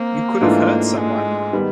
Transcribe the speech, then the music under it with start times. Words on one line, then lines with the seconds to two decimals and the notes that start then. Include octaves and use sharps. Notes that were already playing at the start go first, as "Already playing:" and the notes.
You could have hurt someone!
Already playing: A#3 C4
0.41 G#2 E3 A3 D4 F4
0.97 G#3
1.53 D#3 G3 B3